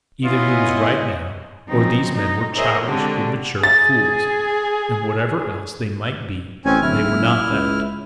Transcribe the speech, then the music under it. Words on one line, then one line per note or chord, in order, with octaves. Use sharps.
Either he was right now, or these men were childish, immature fools--and, whatever else they might be, they were not that!
B3 E4 F4 C#5 D#5 G#5
C#3 F3 F#3 C4 D#4
D#4
G#4 A#4 C5 C#5 D#5 E5
D3 G#3 C4 D4 F#4 G4
G#4 A6
A1 C4 C#4 G#5
D1 E4 F6
F#1
C#2